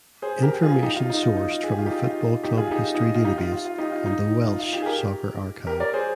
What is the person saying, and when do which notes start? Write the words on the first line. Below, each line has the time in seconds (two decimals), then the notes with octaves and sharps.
Information sourced from the Football Club History Database and the Welsh Soccer Archive.
0.22 G#4 C5
0.42 G4 A#4
0.62 F4 G#4
0.83 D#4 G4
0.96 F4
1.10 D#4
1.23 F4
1.37 D#4
1.50 F4
1.64 G#4
1.71 G4
1.78 F4
1.86 D#4 G4
2.04 F4
2.43 D#4 G4
2.57 F4 G#4
2.71 D#4 G4
2.85 F4
2.95 D#4
3.05 F4
3.15 F4
3.25 D#4 G4
3.38 F4
3.52 F4
3.65 F4
3.78 D#4 G4
3.92 F4
4.06 D#4
4.46 F4
4.59 F4
4.73 D#4 G4
4.82 G#4
4.86 G4 A#4
5.67 G4 A#4
5.80 A#4 D5
5.94 G#4 C5